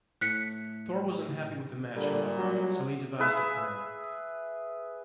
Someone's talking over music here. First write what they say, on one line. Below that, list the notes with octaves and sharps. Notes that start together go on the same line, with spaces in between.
Thor was unhappy with the match however, so he devised a plan.
A2 F#6 B6 C#7
A#2 D3 G3
F#3
G#4 B4 E5